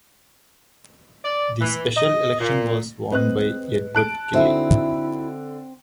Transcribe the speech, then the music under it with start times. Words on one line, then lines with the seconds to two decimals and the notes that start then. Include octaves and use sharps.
The special election was won by Edward Kelly.
1.24 D5
1.60 E3
1.96 D#5
2.40 A#2
3.12 C4 B4 D#5 F#6
3.95 A5 F#6 D7
4.33 D3 C4 D#4 E4 F#4 E5